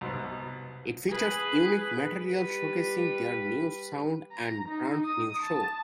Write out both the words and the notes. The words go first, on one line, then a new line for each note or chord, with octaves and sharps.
It features unique material showcasing their new sound and brand new show.
C2 B2 B3 D#4
G#4 B4
G3 B4
A#5
D#4
D#6
A5